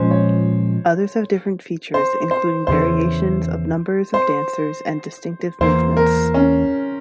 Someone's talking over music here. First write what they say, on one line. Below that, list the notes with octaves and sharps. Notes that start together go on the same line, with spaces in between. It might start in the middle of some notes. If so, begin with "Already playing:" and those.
Others have different features including variations of numbers of dancers and distinctive movements.
Already playing: A#2 F3 G#3 C#4 C5
C#5
C5
C5
E2 C#3 E3 C5
C5
E2 E3 A#3 C5
A#4
C#4